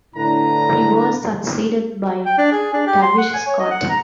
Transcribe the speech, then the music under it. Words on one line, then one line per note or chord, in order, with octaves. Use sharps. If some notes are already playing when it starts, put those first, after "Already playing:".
He was succeeded by Tavish Scott.
A2 D3 D4 E4 B4 A#5
G5
D4
G#4
D4
G4
C6
F#5
G#5
C#5
D#5
F#5
A#5